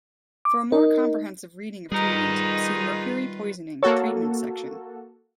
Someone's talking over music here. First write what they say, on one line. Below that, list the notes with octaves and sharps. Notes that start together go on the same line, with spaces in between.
For a more comprehensive reading of treatment, see Mercury poisoning, 'Treatment' section.
D6
D#4 A#4
D#3 G3 D#4 F4 G#4 B4 A#5
A#3 F#4 A4 C#5